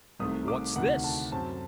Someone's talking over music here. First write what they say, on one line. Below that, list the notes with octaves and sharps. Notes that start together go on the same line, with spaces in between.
"What's this?"
C2 C3 D#3 A3 D#6
D6
D2 C3 D#3 A3 F#5
A5
F#2 F#3 C4 A5